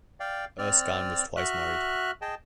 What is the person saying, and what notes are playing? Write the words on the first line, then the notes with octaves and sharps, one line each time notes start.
Erskine was twice married.
D5 F5 G5
C4 D5 F6
F#4 E5 F6 F#6
G#4 D#5 G5 A5